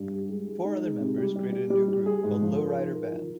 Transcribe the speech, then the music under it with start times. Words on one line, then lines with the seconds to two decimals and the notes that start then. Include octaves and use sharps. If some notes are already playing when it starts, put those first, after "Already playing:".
Four other members created a new group called Lowrider Band.
Already playing: G2
0.11 G4
0.29 G#3
0.47 G#3
0.64 D#4
0.83 G#3
1.00 C3
1.18 G3
1.36 G3
1.53 G3
1.70 G3
1.88 G3
2.06 G#4
2.23 G#2
2.42 F3
2.58 A#4
2.77 D#4
2.95 A#4
3.11 F4